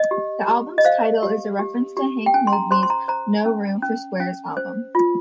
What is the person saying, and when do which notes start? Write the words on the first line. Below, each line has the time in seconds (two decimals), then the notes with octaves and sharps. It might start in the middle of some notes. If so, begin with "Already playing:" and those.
The album's title is a reference to Hank Mobley's "No Room for Squares" album.
Already playing: D#5
0.11 G4
0.48 G4
0.78 D#5
0.85 C5 F5
1.23 G4
1.59 G4
1.97 G4
2.26 G5
2.34 C#4 G#5
2.47 C6
2.53 A#5
2.71 C5 C6
2.83 C6
2.90 A#5
3.08 C5 A#5
3.45 C#4
3.82 C#4
4.20 C#4
4.57 C5
4.95 F4